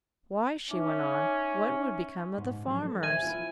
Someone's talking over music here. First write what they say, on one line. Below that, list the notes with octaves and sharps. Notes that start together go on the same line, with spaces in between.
'Why,' she went on, 'what would become of the farmers.'
C#4 D#4 E5 D6
G#2
F3 F#3 D4
A4
C5 E5 G#5
E4 F4